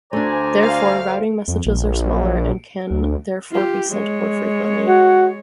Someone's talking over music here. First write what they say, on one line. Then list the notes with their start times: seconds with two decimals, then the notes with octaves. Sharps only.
Therefore, routing messages are smaller, and can therefore be sent more frequently.
0.13 D2 A3 D4 C5 D5 G#5 A#5
0.62 F5
1.48 F2
1.66 A#1
2.91 D2
3.51 F4 G4
3.89 G#3 C#5
4.86 F#4